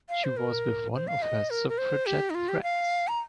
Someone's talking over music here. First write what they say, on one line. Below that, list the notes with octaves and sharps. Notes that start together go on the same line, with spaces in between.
She was with one of her suffragette friends.
F5
C5
A#4
C5
F5
D#5
A#4
A#4
C5
G4
D#4
F4
G4
F5
A#5